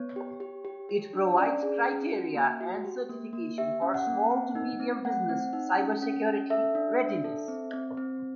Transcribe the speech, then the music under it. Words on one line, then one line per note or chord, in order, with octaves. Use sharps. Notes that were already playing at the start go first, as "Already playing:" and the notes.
It provides criteria and certification for small-to-medium business cybersecurity readiness.
Already playing: B3 C#5
G4
G4
G4
G4
D4
C#4 D5
G#4
C#4
F#4
A#3
F#4
G4
A#3
A#3
G4 E5
C#4
F#5
A#3
C4
D#4
C4
A3 F#5
C4
D#4
C#4
C#4
C#4
A4 E5
D4
D4
A4
C4
C4
C4